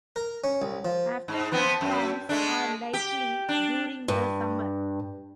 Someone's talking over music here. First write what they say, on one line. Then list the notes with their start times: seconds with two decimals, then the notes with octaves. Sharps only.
Afternoon storms are likely during the summer.
0.16 A#4
0.44 C#4
0.62 C2
0.85 F3
1.28 G#2
1.52 F3 B3 C4
1.81 F#2
2.29 G#3 A3 D4
2.93 G4
3.49 D4
4.08 G2